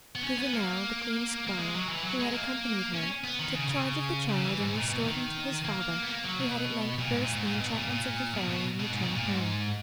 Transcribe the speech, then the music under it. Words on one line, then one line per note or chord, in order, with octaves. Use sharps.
Gouvernail, the queen's squire, who had accompanied her, took charge of the child, and restored him to his father, who had at length burst the enchantments of the fairy, and returned home.
B3
C#4
B3
A#3
A#3
G#3
F#3
E3
F#3
G#3
A#3
C#4
B3
D#3
C#3
C#3
C#3
E3
G#2
A#2
B2
E3
D#3
A#3
B3
A#3
F#3
B2
A#2
G#2
A#2
G#2
A#2
B2
A#2
A#2
B2
B2
B2
G#2
B2
A#2
G#2